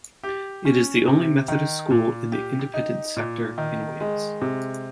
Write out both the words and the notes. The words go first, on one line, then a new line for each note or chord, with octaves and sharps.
It is the only Methodist school in the independent sector in Wales.
G4
C#4
C3
D#3
A#2
G4
D#4
A#2
D#3
G#3
C3